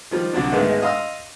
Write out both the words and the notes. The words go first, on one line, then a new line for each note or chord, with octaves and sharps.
you know?
D#3 F3 G3
C2 D3 F#3 D4
G#2 D#3 G#3 A3 B3
D#5 F5 C6 D#6 E6